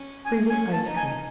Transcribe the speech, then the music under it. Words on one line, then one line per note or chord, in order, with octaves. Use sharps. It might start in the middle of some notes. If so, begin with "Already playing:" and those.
Freezing Ice Cream.
Already playing: C#4
G#5
C#4 G#5
A5
D#4
G#5